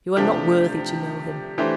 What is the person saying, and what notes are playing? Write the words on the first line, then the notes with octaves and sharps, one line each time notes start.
You are not worthy to know him.
C3 F3 A3 D4 G4
E3 A3 D4 G4 C5